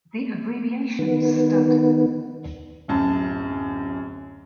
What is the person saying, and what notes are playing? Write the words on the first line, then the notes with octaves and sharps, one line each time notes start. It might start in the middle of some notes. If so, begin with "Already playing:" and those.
The abbreviation stud.
D#3 B3
D1 F#2 A5